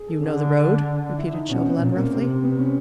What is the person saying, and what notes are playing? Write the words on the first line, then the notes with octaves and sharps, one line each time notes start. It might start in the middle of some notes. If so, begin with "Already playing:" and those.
"You know the road?" repeated Chauvelin, roughly.
Already playing: G#4
A4
D3 G#4
E4
D#4
B2 C#4
C4
A#2 C4
A#3
C3 C4
B3
C#4